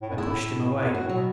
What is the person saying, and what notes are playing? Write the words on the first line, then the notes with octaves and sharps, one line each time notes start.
I pushed him away.
A2
F#2
E2 E4
F#2
A2
E2
F#2 F#4
A2
F#3
B2